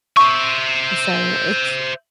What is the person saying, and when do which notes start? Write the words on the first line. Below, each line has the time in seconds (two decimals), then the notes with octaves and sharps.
So it's
0.17 C5 E5 C#6